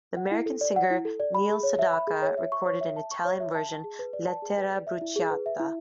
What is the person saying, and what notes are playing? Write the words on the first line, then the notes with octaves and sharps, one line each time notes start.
The American singer Neil Sedaka recorded an Italian version, "Lettera bruciata".
F#5
E4
A4
D5
F#5
E4
A4
D5
B5
G#4
C#5
E5
B5
G#4
C#5
E5
C#6
C#5
E5
A5
C#6
C#5
E5
A5
A5
G#4
B4
D5
A5
G#4
B4
D5
E5
E4
G#4
B4
E5
E4